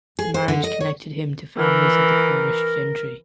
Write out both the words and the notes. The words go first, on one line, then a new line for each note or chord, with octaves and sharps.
The marriage connected him to families of the Cornish gentry.
G#4
C5
D3
D#5
C#5
E3 A#4